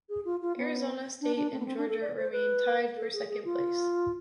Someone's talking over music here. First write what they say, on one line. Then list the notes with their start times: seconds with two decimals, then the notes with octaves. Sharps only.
Arizona State and Georgia remained tied for second place.
0.09 G#4
0.25 F4
0.42 F4
0.58 B3
1.21 D4
1.36 D4
1.52 C4
1.60 B3
1.65 C4
1.77 D4
1.88 A4
2.01 D5
2.17 C5
2.32 B4
2.97 A4
3.13 G#4
3.29 G#4
3.45 F4